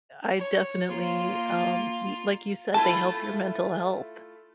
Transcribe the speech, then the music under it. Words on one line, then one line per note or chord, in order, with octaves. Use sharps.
I definitely, um, y like you said, they help your mental health.
C#5
A#3 F4
A3 E4 F4 A5